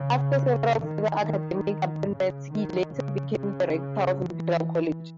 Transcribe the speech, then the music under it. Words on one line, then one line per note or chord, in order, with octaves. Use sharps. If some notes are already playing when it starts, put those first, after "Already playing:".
After several further academic appointments, he later became the Rector of Imperial College.
Already playing: C#3
D#3
D#3
C#3
D#3
C#3
C#3
E3